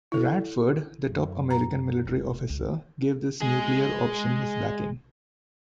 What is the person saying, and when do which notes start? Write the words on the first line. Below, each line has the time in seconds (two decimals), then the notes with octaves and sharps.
Radford, the top American military officer, gave this nuclear option his backing.
0.12 E4 A4
1.08 F#2
1.51 A#5
2.05 F1
2.49 C#2
3.42 G#3 G#4